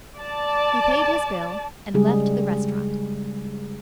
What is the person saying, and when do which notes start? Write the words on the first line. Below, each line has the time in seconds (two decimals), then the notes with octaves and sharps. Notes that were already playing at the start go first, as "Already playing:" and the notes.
He paid his bill and left the restaurant.
0.18 D5 A5
1.94 C#3 G3 G#3 G#4